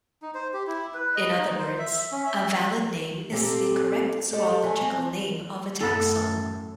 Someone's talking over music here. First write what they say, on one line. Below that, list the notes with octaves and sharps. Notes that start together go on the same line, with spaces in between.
In other words: a valid name is the correct zoological name of a taxon.
D#4
C5
G4
E4
B4
D#5
D#4
C5
E5
C#4
E5
A#2 C4 G4 A4
G4 A4 D#5
A3 G#5
C4
F#2 A2 A4